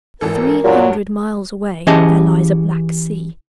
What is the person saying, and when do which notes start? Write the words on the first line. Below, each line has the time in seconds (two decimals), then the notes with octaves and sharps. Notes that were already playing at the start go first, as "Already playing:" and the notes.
Three hundred miles away there lies a black sea.
0.21 G#1 E3 A4 A#4
0.64 G2 A#2 F#3 G3
1.87 E3 C#4 G4 G#4 D#5 A5